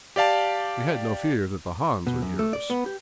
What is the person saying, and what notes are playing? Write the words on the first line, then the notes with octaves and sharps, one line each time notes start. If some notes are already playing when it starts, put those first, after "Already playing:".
We had no fear that the Hans would hear us.
G4 D5 F5 A5
B2
F#2
A3
D5
B3
G4